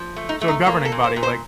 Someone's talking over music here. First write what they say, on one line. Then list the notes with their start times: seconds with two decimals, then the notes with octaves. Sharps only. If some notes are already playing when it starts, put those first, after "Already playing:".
So, a governing body, like
Already playing: F3
0.16 A3
0.29 D#4
0.41 A3
0.48 D#4
0.67 A#3 F4
0.85 A4
0.92 A#2
1.04 C5
1.16 A#2
1.23 C5